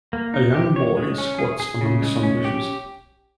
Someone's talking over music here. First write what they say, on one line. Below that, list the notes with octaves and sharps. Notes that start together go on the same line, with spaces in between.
A young boy squats among some bushes.
A#3
D#4
G4
C#5
G#3
C#4
G#4
G#4
C#3
G#3
C#4
G4